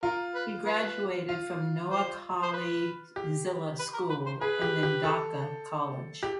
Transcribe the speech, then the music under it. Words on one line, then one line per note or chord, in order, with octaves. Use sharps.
He graduated from Noakhali Zilla School and then Dhaka College.
F4 A#4
B4
B4
F4
C5
C5
B4
G4
B4
A#4
B4
C5
G#4 B4
G4
G4
A4
G4